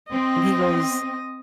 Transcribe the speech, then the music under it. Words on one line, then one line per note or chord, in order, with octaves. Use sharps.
And he goes
C4 D#5